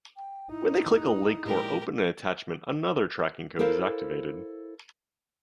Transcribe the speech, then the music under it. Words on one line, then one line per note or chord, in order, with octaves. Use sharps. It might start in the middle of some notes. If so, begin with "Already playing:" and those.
When they click a link or open an attachment, another tracking code is activated.
G5
D#4 E4
F1 F#6
A#1 G#3 G4 A#4
E4 A4 A#4 C5 F5